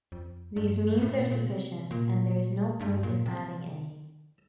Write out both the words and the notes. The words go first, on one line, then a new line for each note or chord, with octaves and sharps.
These means are sufficient and there is no point in adding any.
F2
G2
A2
A#2
A#2
C3
A#2
G2
A#2
C3